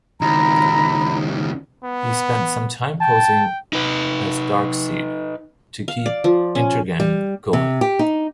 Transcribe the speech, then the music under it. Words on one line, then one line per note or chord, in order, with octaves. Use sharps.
He spent some time posing as Darkseid to keep Intergang going.
C#2 D#3 A#5 B5
B3
G5 A5
D#4 B4
F5
D5
F3
C#4
G3
C3
G4
D#4